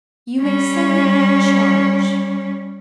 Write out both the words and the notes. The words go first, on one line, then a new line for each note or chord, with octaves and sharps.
"You may send it, charge."
G3 C#4